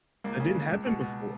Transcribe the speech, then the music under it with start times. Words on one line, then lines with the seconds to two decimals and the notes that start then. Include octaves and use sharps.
that didn't happen before,
0.24 C#2 A#3
0.40 C#3
0.55 C#2
0.70 C#2
0.86 B2
1.01 B2